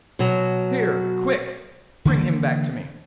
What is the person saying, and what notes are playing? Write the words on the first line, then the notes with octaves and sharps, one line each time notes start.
'Here! quick! bring him back to me.'
B2 F#3
D3 E3 G3 A#3